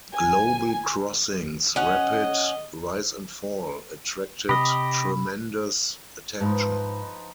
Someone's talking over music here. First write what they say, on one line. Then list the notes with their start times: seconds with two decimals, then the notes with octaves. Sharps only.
Global Crossing's rapid rise and fall attracted tremendous attention.
0.14 G#5
1.76 C#4 D#5 F#5
4.49 C3 G4 D#5 B5
6.40 G#2 F3 D#4 B4